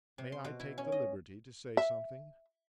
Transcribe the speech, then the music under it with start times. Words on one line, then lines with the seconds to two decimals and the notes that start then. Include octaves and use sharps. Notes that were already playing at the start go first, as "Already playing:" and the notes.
'May I take the liberty to say something?'
0.18 C3
0.32 C6
0.44 B2
0.60 E4
0.78 C#4
0.92 D#5
1.77 E5